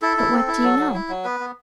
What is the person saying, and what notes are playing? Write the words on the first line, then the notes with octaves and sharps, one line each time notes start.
But what do you know?
E4 A4
E4
C4
E4
F#3
F#3
E4
F#3
B3 B4
B3